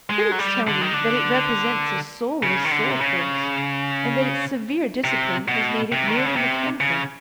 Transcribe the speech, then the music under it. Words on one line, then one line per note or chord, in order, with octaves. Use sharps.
Critics tell me that it represents a soulless soul-force and that its severe discipline has made it merely mechanical.
G#3
F#3
G3
D3
D#3
D3
C#3
D#3
D3
C3
C#3
C3
B2
C3
D#3
D3
C#3
C3
C#3